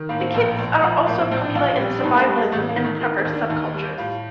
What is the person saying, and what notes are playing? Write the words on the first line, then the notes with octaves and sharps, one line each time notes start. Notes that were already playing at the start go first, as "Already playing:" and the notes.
The kits are also popular in the survivalism and prepper subcultures.
Already playing: D#3
A2 A#3
C4
A#1 A#3
A#1
F3
A2 A#3
C4
A#1 C4
D4
A#1 F4
G3
D4
G2 D#4
A#3
C4
G3
A#3
A1 A3
A#3
D#3
A3
D#3
C4
D#2
D4
D#2 D#4
G3
G4
A2 F4